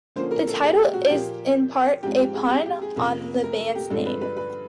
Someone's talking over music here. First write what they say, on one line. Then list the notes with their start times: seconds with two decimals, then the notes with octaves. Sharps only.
The title is in part a pun on the band's name.
0.16 D3 F3 A#3 C#4 C5
0.31 A#4
0.47 A4
0.63 G#4
0.78 G4
0.93 F#4
1.10 A#2 F3 A#3 G4
2.03 G#2 F3 G#3 C4 G4
2.18 G4
2.34 G#4
2.49 G4
2.66 G4
2.82 G#4
2.96 F2 C3 F3 A#3 C#4
3.43 A#4
3.59 A4
3.75 G4
3.90 G2 D3 F3 G#3 A4
4.05 B4
4.21 B4
4.37 B4